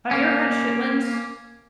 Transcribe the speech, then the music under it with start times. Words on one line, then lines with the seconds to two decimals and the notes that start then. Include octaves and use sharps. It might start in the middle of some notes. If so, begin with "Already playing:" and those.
Have you ever had chitlins?
0.11 A#3 C#4